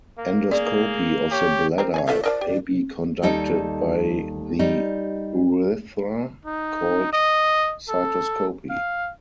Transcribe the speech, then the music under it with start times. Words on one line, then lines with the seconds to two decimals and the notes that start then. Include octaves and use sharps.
Endoscopy of the bladder may be conducted by the urethra, called cystoscopy.
0.18 A#3
0.51 A#3 G#4 D5
1.32 G4 C#5
1.78 G3 C4 A#4
1.94 C#5 D5 G#5
2.08 F4 A4 E5 F5
2.24 F3 A#4 D5 D#5
2.41 G4
3.22 D#2 G3 D#4 A4
4.59 G3 D#4
6.45 D#4
7.13 D#5
7.89 A4
8.70 F5